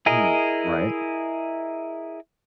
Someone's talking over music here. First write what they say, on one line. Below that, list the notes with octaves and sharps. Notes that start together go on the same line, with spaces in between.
Mm, right?
E4 G#4 A#4 D#5